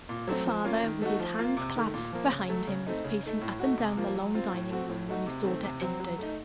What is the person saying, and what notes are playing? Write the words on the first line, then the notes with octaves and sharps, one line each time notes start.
The father, with his hands clasped behind him, was pacing up and down the long dining room when his daughter entered.
A#2
F#3 A3 C4
F3
A#3 C#4 F4
D#3
A3 D#4 F#4
F3
A#3 F4
C3
D#3 A3
A#2
F3 A#3
C#3
F#3 A3
C#3
A3 C4 D#4
C#3
A3 D#4
A2
A3 D#4 F#4
C3
F3 A#3 F4
F#3
C4 F4
A2
A3 C4 F#4
A2
A3 D#4 F#4
C3
D#3 A3 C4
C3
F#3 C4
F#3
A3 D#4